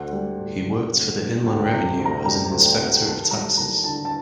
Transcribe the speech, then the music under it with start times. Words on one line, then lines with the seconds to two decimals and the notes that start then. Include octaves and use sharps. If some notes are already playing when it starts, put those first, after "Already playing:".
He worked for the Inland Revenue as an inspector of taxes.
Already playing: D2 F#5
0.13 G3
0.40 D2
0.66 C3
0.92 D2
1.19 G3
1.46 D2 G5
1.65 G5
1.71 C3
1.99 D2
2.05 A#5
2.26 G3 A#5
2.51 D2
2.65 G5
2.73 F#5
2.79 C3 G5
2.95 G5
3.05 D#2 A5
3.20 A5
3.31 G3 A#5
3.57 D#2 A#5
3.84 D3 A5
4.05 A5